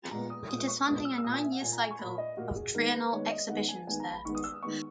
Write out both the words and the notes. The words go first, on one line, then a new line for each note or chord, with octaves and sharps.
It is funding a nine-year cycle of Triennial Exhibitions there.
A#2 G#3 B3 A#5
D#6
A#2 G#3 B3 D#6
C#6
A#2 G#3 B3 D#6
E6
E6
A#2 A#3 D#6
G#5
E5
F#5
A#2 A#3 G#5
A#5
G#5
C#6
A#2 A#3 B5
D#5
A#2 A#3 F#4
G#4
D#3 G#3 B3 A#4
B4
D#3 G#3 B3 C#5
D#5
D#3 G#3 B3 F#5
G#5
D#3 G#3 B3 G#5
A#5
B5
D#3 G#3 B3 C#6
D#6
E6
D#6
D#3 G#3 B3 C#6